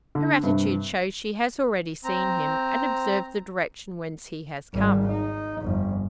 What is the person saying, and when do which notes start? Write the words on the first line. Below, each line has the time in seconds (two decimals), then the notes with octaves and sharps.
Her attitude shows she has already seen him, and observed the direction whence he has come.
0.15 D3
0.43 G2 C3
2.04 C4 A#5
4.73 G#1 G3
5.07 D#4
5.61 G1 F2